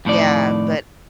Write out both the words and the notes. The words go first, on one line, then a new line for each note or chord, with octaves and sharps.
Yeah, but
F2 A2 D#3 D5